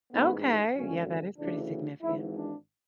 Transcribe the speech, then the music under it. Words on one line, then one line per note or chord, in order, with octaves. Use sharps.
Okay, yeah, that is pretty significant.
A1 G#2 E3 B3
G#1 F#2 D3 C#4
D2 C#3 E3 D4
G#1 G#2 E3 E4
D4